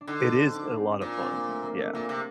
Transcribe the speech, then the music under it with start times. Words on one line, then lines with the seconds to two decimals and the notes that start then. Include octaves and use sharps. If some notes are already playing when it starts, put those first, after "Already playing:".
It is a lot of fun. Yeah.
0.01 D4
0.07 D3 D#4
0.24 D#4
0.38 C4
0.55 D4
0.78 C4
1.02 A#2 D4
1.17 C4
1.33 A#3
1.48 A3
1.63 A#3
1.79 A3
1.94 A#2 A#3
2.09 C3